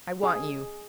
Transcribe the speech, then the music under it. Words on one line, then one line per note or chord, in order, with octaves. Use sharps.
I want you.
G#4